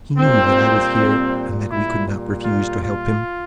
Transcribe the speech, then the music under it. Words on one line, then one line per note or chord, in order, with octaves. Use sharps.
He knew that I was here and that we could not refuse to help him.
A#2 G3 C4
A#2 G3 E4
F4
F4